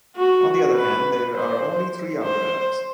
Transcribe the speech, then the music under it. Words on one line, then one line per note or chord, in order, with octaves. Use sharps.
On the other hand, there are only three outer atoms.
F#4
B4
C5
C5